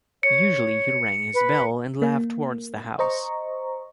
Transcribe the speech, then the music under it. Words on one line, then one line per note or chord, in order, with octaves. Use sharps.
Usually he rang his bell and laughed towards the house.
C#5 C#7
B4
A#3
C5 D#5 A#5 C#6